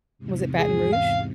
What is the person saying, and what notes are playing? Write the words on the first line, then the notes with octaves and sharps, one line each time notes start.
Was it Baton Rouge?
E2 G#2 C3
G#4
F5